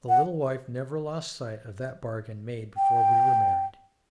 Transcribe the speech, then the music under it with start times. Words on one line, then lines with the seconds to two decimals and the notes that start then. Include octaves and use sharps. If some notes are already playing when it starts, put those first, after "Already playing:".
The little wife never lost sight of that bargain made before we were married.
0.09 F#5
2.77 G5